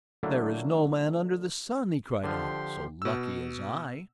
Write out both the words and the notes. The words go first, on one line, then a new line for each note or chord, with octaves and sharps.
"There is no man under the sun," he cried out, "so lucky as I."
D3 F#3 A3 A#3 D4 E4
D3 F3 G4 C6
B2 E6